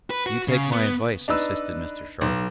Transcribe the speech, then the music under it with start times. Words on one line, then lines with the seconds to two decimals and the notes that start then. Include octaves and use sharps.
"You take my advice," insisted Mr. Sharp.
0.10 B4
0.26 F#4
0.48 C#3
0.72 B3
1.28 D4 D#4 B4 E6
2.21 B1